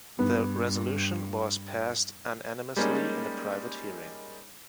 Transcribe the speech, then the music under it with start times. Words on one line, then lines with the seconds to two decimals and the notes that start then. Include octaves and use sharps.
The resolution was passed unanimously in a private hearing.
0.19 G2 B3
2.76 G3 G#3 A#3 C#4 D#4